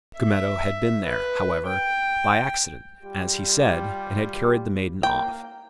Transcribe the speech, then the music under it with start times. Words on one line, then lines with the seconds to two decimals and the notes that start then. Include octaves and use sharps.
Cucumetto had been there, however, by accident, as he said, and had carried the maiden off.
0.17 E5
1.06 B4
1.67 G5
3.03 G3 F4 G4
5.03 A#3 G5